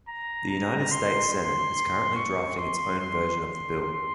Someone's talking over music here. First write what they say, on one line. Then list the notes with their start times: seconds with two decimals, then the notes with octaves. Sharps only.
The United States Senate is currently drafting its own version of the bill.
0.08 A#5
0.49 A#5
0.91 C6
1.32 C6
2.16 C#6
2.58 C6
2.99 C6
3.41 C6
3.82 C6